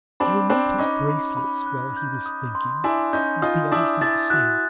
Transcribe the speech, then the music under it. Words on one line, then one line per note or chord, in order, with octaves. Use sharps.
He removed his bracelets while he was thinking; the others did the same.
C4 D4 B5
C4 D4 F#6
C#4 D#4 D6
B5
B5
F#6
G6
D#6
C6
D4 E4 G#5
C#4 D#4 G6
D#4 F4 D#6
D4 E4 D#6
D4 E4 A6
E4 F#4 F#6